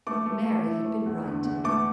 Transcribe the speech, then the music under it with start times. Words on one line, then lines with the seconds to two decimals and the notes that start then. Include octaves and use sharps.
But Mary had been right.
0.07 A3 D6
0.26 A3
0.45 A3
0.65 E4
0.86 A3
1.06 E2
1.24 D3
1.44 E2
1.64 A3 D6